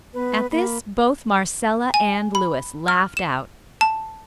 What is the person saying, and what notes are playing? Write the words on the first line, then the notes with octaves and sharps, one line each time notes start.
At this both Marcella and Louis laughed out.
B3 B4
A#3 B5
G#5
B5
F6
E7
A5